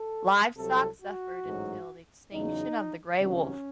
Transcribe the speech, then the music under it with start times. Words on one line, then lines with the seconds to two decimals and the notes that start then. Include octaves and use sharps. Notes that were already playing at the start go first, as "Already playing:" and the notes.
Livestock suffered until the extinction of the grey wolf.
Already playing: A4
0.57 C2 C3 F#3 A4
1.01 F#4
1.44 A1 G#2 F#3
2.33 E2 C#3 F#3 D#4
3.20 C#2 C3 D#3 F#3 C#4